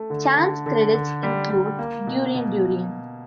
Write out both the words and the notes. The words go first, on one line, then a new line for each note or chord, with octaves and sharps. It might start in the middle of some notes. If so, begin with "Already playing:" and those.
Chan's credits include "Durian Durian".
Already playing: A3
D3
D3
D3
D3
G3
G3
A#3
B2
B2